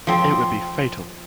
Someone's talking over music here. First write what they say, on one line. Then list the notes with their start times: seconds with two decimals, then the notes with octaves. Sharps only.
It would be fatal.
0.07 F3 C4